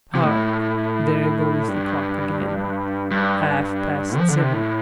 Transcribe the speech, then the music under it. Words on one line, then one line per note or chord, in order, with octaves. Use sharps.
Hark! there goes the clock again--half-past seven.
C3
A2
G2
G2
F3
D3
C3
A2